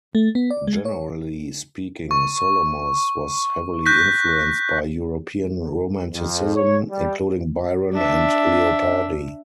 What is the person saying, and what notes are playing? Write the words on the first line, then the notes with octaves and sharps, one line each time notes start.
Generally speaking, Solomos was heavily influenced by European romanticism, including Byron and Leopardi.
A3
B3
D5
G#3
C#5
C#6
F#6 G6 A#6 B6
F2
C#5
G3
D4 E5